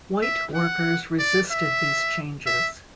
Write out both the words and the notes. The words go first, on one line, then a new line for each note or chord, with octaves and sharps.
White workers resisted these changes.
E5
F#5
D5
E5
E5